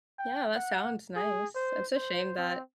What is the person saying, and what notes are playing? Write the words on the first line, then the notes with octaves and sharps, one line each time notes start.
Yeah, that sounds nice. It's a shame that
G5
F#5
G#4
C5
C5
C4